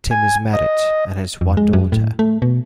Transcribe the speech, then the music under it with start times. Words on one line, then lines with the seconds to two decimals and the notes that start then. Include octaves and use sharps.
Timm is married and has one daughter.
0.11 G#5
0.53 D#5
1.41 F2
1.57 G#3
1.73 F#2
1.92 A2
2.19 A3
2.42 B2